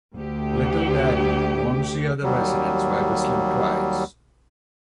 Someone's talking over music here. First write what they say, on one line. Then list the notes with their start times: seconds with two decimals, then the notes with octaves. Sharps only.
Little Daddy warns the other residents by whistling twice.
0.14 D2 G4
2.23 D#2 F#3 G3